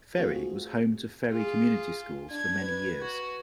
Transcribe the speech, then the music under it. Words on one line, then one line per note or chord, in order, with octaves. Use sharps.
Ferry was home to Ferry Community Schools for many years.
A3 C4 F4 F#4 G#4
F4 G#4
D4 G#6
B4
F#4